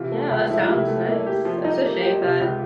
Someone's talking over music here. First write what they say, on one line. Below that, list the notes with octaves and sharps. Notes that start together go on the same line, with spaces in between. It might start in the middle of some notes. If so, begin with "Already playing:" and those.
Yeah, that sounds nice. It's a shame that
Already playing: C3 E3 F4
A3
C#2
F3 E4
F4
C3 E4
A3
A#3 E4
G4
F3
D#4
A#3
G4
C3 F4
C#2 F4